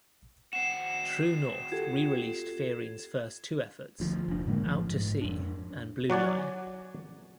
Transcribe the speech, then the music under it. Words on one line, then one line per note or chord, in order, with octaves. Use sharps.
True North re-released Fearing's first two efforts "Out to Sea" and "Blue Line".
C4 F#4 C7 E7
F4 G4 A4 G#6
D2 F3
F1 D4
A2 D3 G#3 A#3
A1 F3
G#2
F2 D4
F#3 F#4 D5 G#5